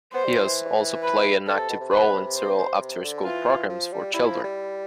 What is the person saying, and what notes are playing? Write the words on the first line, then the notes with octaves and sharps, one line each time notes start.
He has also played an active role in several after-school programmes for children.
B3 C5
G3
F3
E3
B4
D3 A4
C3
B2
C3
B4
C5
C3
D3
E3 F4
F3
G3
G3 E4
F3
G3